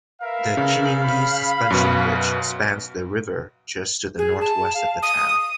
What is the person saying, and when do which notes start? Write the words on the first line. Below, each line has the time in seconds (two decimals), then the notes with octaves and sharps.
The Chinyingi Suspension Bridge spans the river just to the north-west of the town.
0.22 A#4 B4 E5 F5
0.57 C#3
1.05 B5
1.70 F#2 B2
4.19 G#4
4.41 A5
4.74 F5
5.03 D#6